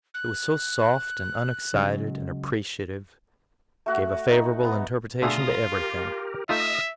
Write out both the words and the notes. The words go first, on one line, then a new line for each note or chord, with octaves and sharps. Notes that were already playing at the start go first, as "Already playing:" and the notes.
It was so soft and unexcited and appreciative--gave a favorable interpretation to everything.
F#6
C#3 F#3 G#3
A3 F#4 F#5
D#4
B3
B2 D3 A3 F4 G#4 A#5 D#6
G4 A#4
A3 D#4 F4 D#5 E5 D#6 F6